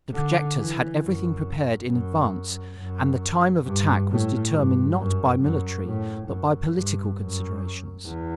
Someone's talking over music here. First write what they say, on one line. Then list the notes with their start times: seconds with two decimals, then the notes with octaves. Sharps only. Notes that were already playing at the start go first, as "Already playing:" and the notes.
The projectors had everything prepared in advance, and the time of attack was determined not by military but by political considerations.
0.13 D3
0.58 E3
1.01 F#2
1.90 F#2
2.77 F#2
3.65 G2
4.09 A2
4.53 G2
4.98 F#2
5.40 F#2
5.86 A2
6.28 F#2
6.73 G2
7.18 F#2
8.05 E2